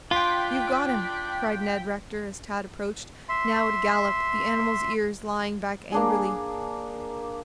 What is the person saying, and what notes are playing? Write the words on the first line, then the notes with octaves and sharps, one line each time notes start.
"You've got him!" cried Ned Rector as Tad approached, now at a gallop, the animal's ears lying back angrily.
D4 F4 G5 C6 B6
E5 C6
A#3 D4 G#4